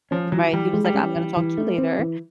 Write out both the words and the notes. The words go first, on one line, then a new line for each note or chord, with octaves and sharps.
right, he was, like, "I'm gonna talk to you later,"
F3 C#4
E3 F#3
E3 G3
G#3
G3
C#4
E3
E3
A3
C4
E3